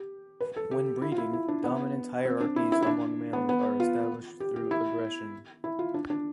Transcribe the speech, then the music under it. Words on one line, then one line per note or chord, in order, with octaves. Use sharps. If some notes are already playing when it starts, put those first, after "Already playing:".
When breeding, dominance hierarchies among males are established through aggression.
Already playing: G4
B4
A4
G4
E4
F4
E4
E4
D4
B3
C4
D4
E4
E4
E4
D4
B3
B3
F4
G4
G4
E4
E4
F4
D4
D4